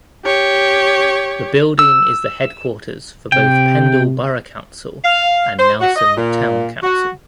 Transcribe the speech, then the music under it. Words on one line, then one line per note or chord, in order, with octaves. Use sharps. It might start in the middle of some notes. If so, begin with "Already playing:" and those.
The building is the headquarters for both Pendle Borough Council and Nelson Town Council.
G4 C#5
E6
C3 G5
F5
C5
F#4
D#5
A#2
F#4